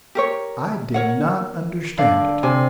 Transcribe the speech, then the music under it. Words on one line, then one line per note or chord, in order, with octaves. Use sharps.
I did not understand it.
G4 A#4 C#5
A#4 C#5 F#5
D3 B4 D5 F5
C3 G#5